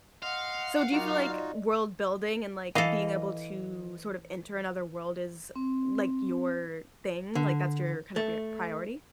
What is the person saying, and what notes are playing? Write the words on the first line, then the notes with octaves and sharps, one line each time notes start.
So do you feel like world building, and, like, being able to sort of enter another world is, like, your thing, like, that's your kinda prio priority?
D#5 F5 F#5 C6
F#3 D#4 F4 F#4 A#4 D6
D5 D#5 C6
E3 A4 D#5 F5
C4
D3
A3